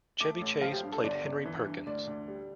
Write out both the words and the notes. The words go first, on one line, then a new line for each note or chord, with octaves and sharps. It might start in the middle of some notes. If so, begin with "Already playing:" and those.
Chevy Chase played Henry Perkins.
A3 D6
A1
F3 F5
G4
G2
A4
G1 D5
G1
E3
G2
D2 D5
D2
G3